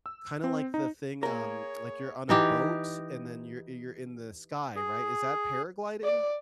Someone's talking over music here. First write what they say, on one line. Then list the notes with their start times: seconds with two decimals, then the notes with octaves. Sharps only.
kinda, like, the thing, um like, you're on a boat, and then you're you're in the sky, right? Is that paragliding?
0.06 E6
0.44 C4
0.74 D#4
1.23 A#3 G#4 A#4 C#5
2.29 E3 D#4 G4
4.76 G#4
6.03 D5